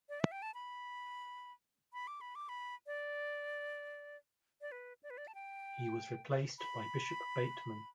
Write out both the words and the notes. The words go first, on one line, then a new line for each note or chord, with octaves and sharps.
He was replaced by Bishop Batemen.
D5
E5
G5
A5
B5
B5
D6
B5
D6
B5
D5
D5
B4
D5
B4
D5
A5
G5
B5